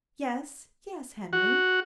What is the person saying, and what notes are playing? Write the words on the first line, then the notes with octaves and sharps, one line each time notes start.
"Yes--yes, Henry?"
F#4